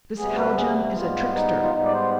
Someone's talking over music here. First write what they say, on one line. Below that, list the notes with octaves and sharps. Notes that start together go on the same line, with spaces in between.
This Haljan is a trickster!
D2 C3 G3 B3 G#4
B4
G#4
G#2 G3 B3 F4
D#4
F4
G#2 G3 B3 D#4
D5
C5